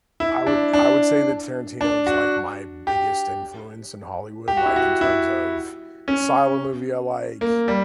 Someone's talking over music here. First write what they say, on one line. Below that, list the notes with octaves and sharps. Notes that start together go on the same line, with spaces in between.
I would I would say that Tarantino is like my biggest influence in Hollywood, like in terms of the style of movie I like,
E4
D4
D4
D4
F#4
G4
G4
F#4
E4
F#4
E4
C#4
A#3
G3